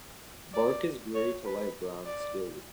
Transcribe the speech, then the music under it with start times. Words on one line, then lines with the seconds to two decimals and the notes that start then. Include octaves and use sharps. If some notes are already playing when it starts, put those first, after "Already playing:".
Bark is gray to light brown, scaly.
0.53 D5
1.15 C#5
1.45 B4
2.06 D5